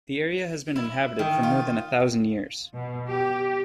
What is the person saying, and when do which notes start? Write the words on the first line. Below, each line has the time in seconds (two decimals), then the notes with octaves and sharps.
The area has been inhabited for more than a thousand years.
0.76 E4
1.19 D#3
1.43 F4
2.74 B2
3.09 G4